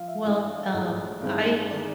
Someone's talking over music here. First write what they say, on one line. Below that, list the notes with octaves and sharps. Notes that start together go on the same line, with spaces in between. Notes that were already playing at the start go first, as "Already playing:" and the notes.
Well, um, I
Already playing: F3 F5
E5
A2 E3 A3 D4 E5
A#1 A2 E3 G#3 D#5
G2 D#3 G#3 C4 E4
D#3 G#3 D5